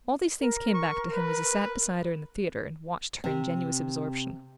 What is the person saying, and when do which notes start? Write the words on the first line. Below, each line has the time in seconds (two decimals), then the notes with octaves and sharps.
All these things came back to him as he sat beside her in the theatre and watched her ingenuous absorption.
0.40 A#4
0.74 C#6
1.14 B4
3.24 C3